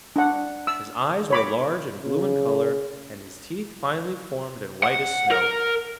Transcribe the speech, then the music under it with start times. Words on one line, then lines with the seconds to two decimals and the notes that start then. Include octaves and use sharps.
His eyes were large and blue in color and his teeth finely formed and white as snow.
0.16 D4 F#5
0.67 E6
1.30 C#5 B5 D6
2.03 C#3
4.84 F#5
5.32 A#4